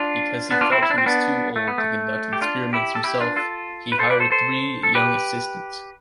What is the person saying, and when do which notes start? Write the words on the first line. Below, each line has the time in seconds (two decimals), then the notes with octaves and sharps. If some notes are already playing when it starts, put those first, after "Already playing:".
Because he felt he was to old to conduct experiments himself, he hired three young assistants.
Already playing: D4 F4
0.51 B3 D4
0.61 D4 F4
0.72 C4 E4
0.83 E4
0.90 D4
0.98 C4
1.06 B3 D4
1.56 A3
1.67 B3
1.78 A3
2.33 G4
2.41 D4 F4
2.73 E4 G4
2.95 A4
3.04 E4 G4
3.20 D4 F4
3.36 F4 A4
3.92 B4
3.99 A4 C5
4.10 B4 D5
4.20 A4 C5
4.31 A4 C5
4.83 A4
4.95 G4 B4